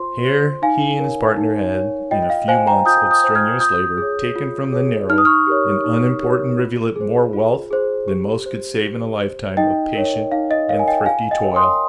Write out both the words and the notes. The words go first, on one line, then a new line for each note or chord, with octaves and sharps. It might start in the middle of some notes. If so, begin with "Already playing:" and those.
Here he and his partner had in a few months of strenuous labor taken from the narrow and unimportant rivulet more wealth than most could save in a lifetime of patient and thrifty toil.
Already playing: F4 C5 C6
C5
D#4 F5 G#5
A#4 C#5
D#4
A#4 C#5
F4 D#5 G5
D#5
F5
C5 F5 G#5
G5 A#5
F4 D#6 G6
D#6 G6
C5
F6 G#6
F4 D#6 G6
G#4 C#5
F4
G#4 C#5
D#4 F6
D#6
C#6 F6
G4 A#4 C#5
D#4
G4 A#4 C#5
F4
G#4 C5
F4
G#4 C5
G4
C5
G4
C5
D#4 D#5 G5
A#4 C#5
D#4 F5
D#5
A#4 C#5 F5
G#5
D#5 G5
F4 F5 G#5
D#5 G5
A#4 C#5
C6 D#6